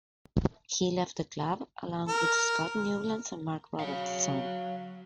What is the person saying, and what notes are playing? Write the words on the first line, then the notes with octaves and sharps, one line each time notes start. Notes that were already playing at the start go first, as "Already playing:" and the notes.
He left the club along with Scott Newlands and Mark Robertson.
A#4
F#3 C#5 F5